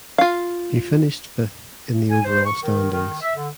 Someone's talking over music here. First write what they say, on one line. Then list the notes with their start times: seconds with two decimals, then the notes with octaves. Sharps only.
He finished fifth in the overall standings.
0.18 F4 F5
2.10 G#5
2.25 C5
2.45 C#6
2.61 D#3
2.92 D#3
3.21 E5
3.35 D3